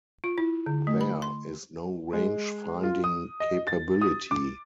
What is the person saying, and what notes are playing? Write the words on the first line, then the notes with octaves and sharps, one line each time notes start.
There is no range-finding capability.
F4
E4
D3
A3
B5
C6
G#3
F4
D#6
D#5
A6
D#6
D6